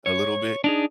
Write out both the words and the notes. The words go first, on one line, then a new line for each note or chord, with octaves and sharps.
a little bit,
C#5
D4 D#4 G#4